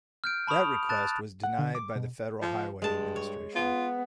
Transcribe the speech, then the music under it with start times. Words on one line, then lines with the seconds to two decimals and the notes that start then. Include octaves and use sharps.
That request was denied by the Federal Highway Administration.
0.24 F6 G6 D7
0.47 A5 B5 C#6 D#6 F7
0.89 A5 F#6 A6
1.44 F#5
1.59 D3
1.75 D6
1.96 B2
2.42 F3
2.82 G2 G#3 A5
3.16 C#5
3.55 B3 F4